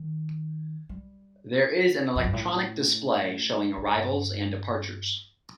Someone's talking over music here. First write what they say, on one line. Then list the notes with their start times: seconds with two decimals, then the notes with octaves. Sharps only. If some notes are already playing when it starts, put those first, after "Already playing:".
There is an electronic display showing arrivals and departures.
Already playing: D#3
0.89 G3
2.16 F2
2.24 G2
2.33 A2
3.77 G2